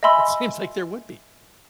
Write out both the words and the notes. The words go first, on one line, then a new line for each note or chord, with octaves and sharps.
It seems like there would be.
D#5 E5 G#5 B5 C6 E6